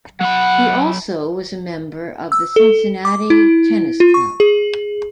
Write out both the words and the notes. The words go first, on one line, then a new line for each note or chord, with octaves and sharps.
He also was a member of the Cincinnati Tennis Club.
F#3 F#5 B5
E6
A4
D6
E4
F4
C#6
G#4